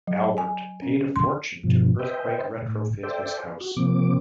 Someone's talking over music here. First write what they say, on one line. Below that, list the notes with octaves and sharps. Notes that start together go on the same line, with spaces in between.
Albert paid a fortune to earthquake retrofit his house.
F#3
G#5
C#4
C6
G2 B2 F3
B4 C5 D#5 E5 G5
A2
A4 C5 D5 E5 G5
F#4
C3 F3 A#3 C4 D6